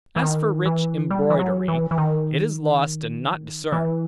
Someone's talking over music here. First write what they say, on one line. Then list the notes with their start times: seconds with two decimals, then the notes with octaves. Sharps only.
As for rich embroidery, it is lost and not discerned.
0.16 E3
0.22 D#3
0.66 E3
1.10 G3
1.30 E3
1.39 F#3
1.68 E3
1.91 E3
1.98 D#3
3.72 E3